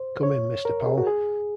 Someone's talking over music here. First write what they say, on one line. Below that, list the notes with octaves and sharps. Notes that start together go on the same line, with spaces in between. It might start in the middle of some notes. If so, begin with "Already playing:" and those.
Come in, Mr. Powell.
Already playing: C5
C#5
A#4
G#4
F#4
G#4